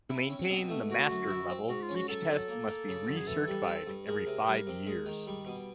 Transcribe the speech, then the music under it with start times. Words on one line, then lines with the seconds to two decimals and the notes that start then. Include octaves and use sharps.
To maintain the Master Level, each test must be recertified every five years.
0.10 C4 E4
0.30 C#4
0.49 B2
0.69 A3
0.89 D3 F#4
1.09 F#2
1.28 E4
1.49 C4
1.68 G#2 F#4
1.82 F4
1.89 C#4
1.95 F#4
2.08 F#3 A4
2.29 F#3
2.48 A#3
2.68 A#3
2.88 C#3
3.08 F#2
3.17 G#4
3.27 E3 A4
3.48 G3
3.67 C4
3.87 G2
4.07 G#3 A#4
4.27 C3
4.47 G3
4.67 C3
4.87 G#3
5.06 D#3
5.27 G3
5.46 B2